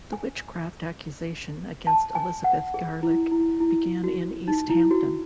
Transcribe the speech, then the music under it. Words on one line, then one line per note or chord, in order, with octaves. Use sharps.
The witchcraft accusation against Elizabeth Garlick began in East Hampton.
G#5
A5
G#5
F#5
G#4
E4
E4
E4
F#4
D#4
E4
F#4